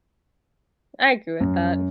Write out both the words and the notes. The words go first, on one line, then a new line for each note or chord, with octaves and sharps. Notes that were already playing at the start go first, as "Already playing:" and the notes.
I agree with that.
F#2